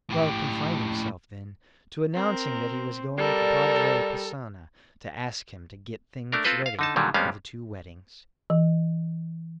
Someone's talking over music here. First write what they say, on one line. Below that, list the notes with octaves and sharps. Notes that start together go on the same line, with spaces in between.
Manoel confined himself, then, to announcing that he was going to Padre Passanha to ask him to get things ready for the two weddings.
A2 G4
C4 A#4
G3 A4 A#4 D5
A3 D4 A#4
C4 F4 A4 B4 C5
F5
D3 D#4 A5
A#2 D3 D#3 F#3 G3
F2 G3 G#3 B3 C#4 F5
E3